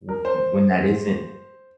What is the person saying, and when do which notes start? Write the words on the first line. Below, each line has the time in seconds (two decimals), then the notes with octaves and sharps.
w m when that isn't,
0.09 A#4
0.25 C5